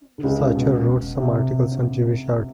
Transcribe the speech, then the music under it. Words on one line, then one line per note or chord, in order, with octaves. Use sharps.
Shachar wrote some articles on Jewish art.
D3
C#2 C#3
B2
C3